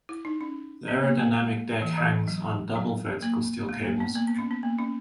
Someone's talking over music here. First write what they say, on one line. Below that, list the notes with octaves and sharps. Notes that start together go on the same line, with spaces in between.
The aerodynamic deck hangs on double vertical steel cables.
E4
D#4
C#4
B3
A#3
A#3
G#3
E3
E3
F#3
F#3
A#3
G#3
A#3
B3
A#3
B3
C#4
B3
A#3
C#4